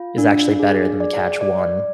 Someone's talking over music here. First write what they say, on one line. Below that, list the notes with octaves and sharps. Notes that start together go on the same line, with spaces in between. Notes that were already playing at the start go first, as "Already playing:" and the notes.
is actually better than the Catch One
Already playing: F4
D4
G#4
D5
D5